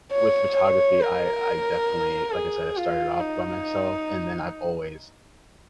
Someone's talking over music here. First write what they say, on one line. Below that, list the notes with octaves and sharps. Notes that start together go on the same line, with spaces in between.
with photography, I I definitely like I said, I started off by myself, and then I've always
C#5
C#5
A#4
G#4
F4
D#4